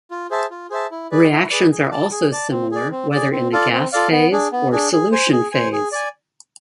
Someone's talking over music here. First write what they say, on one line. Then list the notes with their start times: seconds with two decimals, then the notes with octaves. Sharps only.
Reactions are also similar whether in the gas phase or solution phase.
0.11 F4
0.31 G#4 C5 E5 A5
0.51 F4
0.70 G#4 C5 E5 A5
0.91 E4
1.12 G#4 B4 D5
1.31 E4
1.51 G#4 B4 D5
1.71 G#4
1.91 D5 A5
2.11 G#4
2.31 D5 A5
2.51 C4
2.71 G#4 D5
2.91 C4
3.12 G#4 D5
3.32 C4
3.52 F4 A4 D5 F5
3.72 C4
3.93 F4 A4 D5 F5
4.12 B3
4.32 D4 G#4
4.52 B3
4.72 D4 G#4
4.92 G#4
5.12 C5 G#5
5.32 G#4
5.52 C5 G#5
5.72 G#4
5.92 D5 G#5